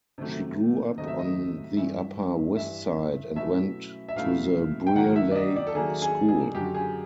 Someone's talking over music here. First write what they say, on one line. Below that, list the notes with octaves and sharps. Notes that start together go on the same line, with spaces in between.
She grew up on the Upper West Side and went to the Brearley School.
C3 D#3 F#3 A3
C3 D#3 F#3 A3 D#5
E5
D#5
G2 E3 G3 E5
G2 E3 G3 E5
B2 F#3 A3 C#4 E4 E5
E5
B2 F#3 A3 C#4 E4 F5
G5
D#3 F#3 A#3 F#5
E5
D5
D#5
D5
A4
D#3 F#3 A#3 G#4
G#4
G#4
F#2 D3 F#3 G4
G#4